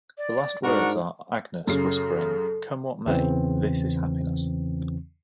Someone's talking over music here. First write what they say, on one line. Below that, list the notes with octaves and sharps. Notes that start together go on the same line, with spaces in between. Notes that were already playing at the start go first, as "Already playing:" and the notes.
The last words are Agnes whispering, Come what may, this is happiness.
D5
G#2 D4 F#4 A#4 F#5
F#2 C#3 A4 C7
E2 C#3 E3 C4